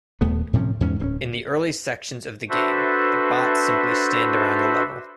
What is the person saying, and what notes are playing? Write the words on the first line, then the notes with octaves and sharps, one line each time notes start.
In the early sections of the game, the bots simply stand around the level.
D#1 D#2 A3 B3
A2 C3 F3 C#4
E2 G#2 C#4
D1 C4 C#4
D4 F#4 A4 B4 C5 E5